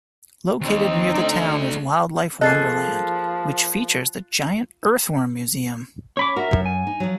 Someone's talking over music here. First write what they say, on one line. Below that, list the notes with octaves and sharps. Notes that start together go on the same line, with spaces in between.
Located near the town is "Wildlife Wonderland", which features the Giant Earthworm Museum.
D#2 C4 D#4
A3 D4
F3 A#3 G#4 A4 D#5 F#6 A6 C7
C#4 C#5 B5 D6
F#4 A#4 E5
F#2
G#5
D#4
F3 F#3